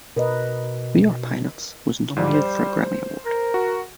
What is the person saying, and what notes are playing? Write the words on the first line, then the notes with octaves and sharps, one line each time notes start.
"We Are Pilots" was nominated for a Grammy Award.
B2 A#4 B4 D#5
G#2 F3 G3
C5
A#4
F#4